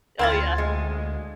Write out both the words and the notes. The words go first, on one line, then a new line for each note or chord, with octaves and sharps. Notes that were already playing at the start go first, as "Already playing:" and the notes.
Oh yeah.
D2 C4 E4 F4 C6 G#6 A6
G#3